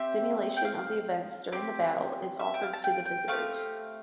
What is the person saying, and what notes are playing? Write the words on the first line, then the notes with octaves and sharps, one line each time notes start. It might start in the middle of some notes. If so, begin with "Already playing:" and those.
Simulation of the events during the battle is offered to the visitors.
Already playing: C4 G4 E5
G5
F5
C4 G4
E5
G5
F5
A5
G5
G5
A3 C4 G4 F5